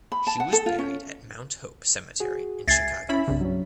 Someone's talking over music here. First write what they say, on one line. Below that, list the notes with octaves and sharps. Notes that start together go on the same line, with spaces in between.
She was buried at Mount Hope Cemetery in Chicago.
B5
A5
F#5
A4
F4
C#4
F#4 G#4
C#2 E5 G#5 G#6 A6 C7
C#4 E4 E5 B5
C2 G2 C#3
F#3 C#4